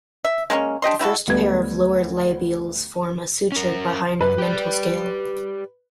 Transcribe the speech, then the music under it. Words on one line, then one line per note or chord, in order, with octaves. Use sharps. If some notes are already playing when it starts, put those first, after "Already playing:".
The first pair of lower labials form a suture behind the mental scale.
E5
G#3 A#3 C4 C#4
D4 G4 D#5 C6
G3 E4 F#4 A4
D2 G3 B3 B4 G#6
C#4 A#4
F#2 B4
G4 D5